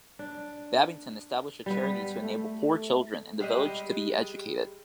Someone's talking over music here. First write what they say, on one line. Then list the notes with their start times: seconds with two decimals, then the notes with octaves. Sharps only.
Babington established a charity to enable poor children in the village to be educated.
0.19 D4
1.66 G3 B3
2.21 A3
3.40 G3 G#3 G4 D#5